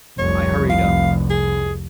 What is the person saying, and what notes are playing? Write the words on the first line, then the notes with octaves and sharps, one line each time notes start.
I hurried up.
F1 C2 C#5
F5
G#4